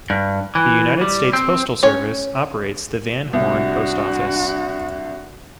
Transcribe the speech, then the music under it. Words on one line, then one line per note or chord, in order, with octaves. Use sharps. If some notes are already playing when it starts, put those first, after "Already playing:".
The United States Postal Service operates the Van Horn Post Office.
G2
E3
G3
C4
C#4 C#5
C2 D4 F#4